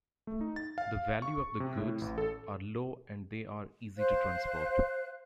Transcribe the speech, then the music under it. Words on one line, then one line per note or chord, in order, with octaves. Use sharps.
The value of the goods are low and they are easy to transport.
A3
D#4
A6
F5
C#6
C3
A2
A1
A4
C5 F5 F#6